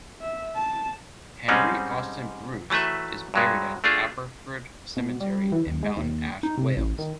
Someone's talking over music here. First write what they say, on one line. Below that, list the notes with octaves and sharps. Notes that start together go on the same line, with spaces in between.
Henry Austin Bruce is buried at Aberffrwd Cemetery in Mountain Ash, Wales.
E5
A5
G#2 G3 G#3 C4 C#4 D#4
E3 F#3 A3 B4 E5
G2 F#3 G#3
A3 D4 F4 G#4
B2
G3
E3
D#2
G#3
D#2
D#4
C3
A1
D#3